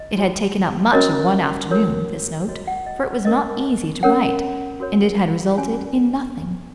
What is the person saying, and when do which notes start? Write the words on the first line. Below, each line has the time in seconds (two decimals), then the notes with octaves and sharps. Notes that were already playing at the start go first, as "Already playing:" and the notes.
It had taken up much of one afternoon, this note, for it was not easy to write; and it had resulted in nothing.
Already playing: D#5
0.16 D#4 F#4 C#5
0.93 C#4 F#4 A#4 C#5 D#5
1.71 F#4 A#4 C#5
2.48 F#4 C#5 D#5
2.67 F#5
2.86 D#5
3.25 C#4 A#4 C#5 D#5
4.03 C#4 A#4 C#5 F#5
4.80 F#4 A#4 C#5
5.58 C#4 F#4 C#5 G#5